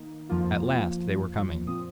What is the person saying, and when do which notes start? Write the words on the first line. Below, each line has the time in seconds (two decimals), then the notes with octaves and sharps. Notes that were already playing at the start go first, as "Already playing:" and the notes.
At last, they were coming.
Already playing: D#3 A#3 D#4
0.29 F2 F3 A#3 F4
1.66 A#2 F3 C4 D#6